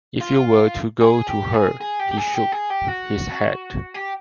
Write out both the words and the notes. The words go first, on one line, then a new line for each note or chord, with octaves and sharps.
"If you were to go to her;" He shook his head.
F4
G#4
G4
G#4
G#4
G4
G4
G#4
G4
G#4
G4
F#4
G4